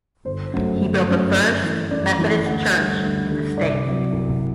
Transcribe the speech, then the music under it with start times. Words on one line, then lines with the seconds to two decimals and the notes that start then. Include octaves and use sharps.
He built the first Methodist church in the state.
0.25 G1 C5
0.53 F#2 F#3 A3
0.81 G1
1.08 F#2 F#3 A3
1.36 F#2
1.63 E3 A3
1.91 F#2 D5
2.19 E3 A3
2.46 D2 F#5
2.75 D3 G3
3.02 D2
3.30 D3 G3
3.57 C2 D5
3.85 C3 F#3
4.13 C2